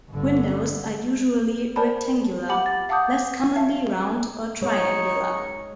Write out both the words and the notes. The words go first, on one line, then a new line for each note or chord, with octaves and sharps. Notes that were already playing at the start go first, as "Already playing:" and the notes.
Windows are usually rectangular, less commonly round or triangular.
G1 D3
A#4 C5 D5 G#5 A5 B5
G4 F#5 G#5 B5 D6 F#7
A6
F5 F#5 A5 D6 D#6 G6
E5 F5 A5
G#3 D#4 C#5 C#6